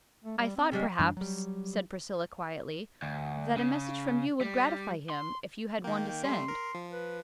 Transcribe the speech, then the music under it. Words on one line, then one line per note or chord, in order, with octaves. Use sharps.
"I thought, perhaps," said Priscilla, quietly, "that a message from you would gratify him, if you had one to send."
A3
G3
C4
C#3 G3 G#3
F#2 E3 G3 D4
F#3 G3
D2
C#3
G3
C6
D#3 A#3 G5
G5
G3 A3 C6
A#4
F3
B4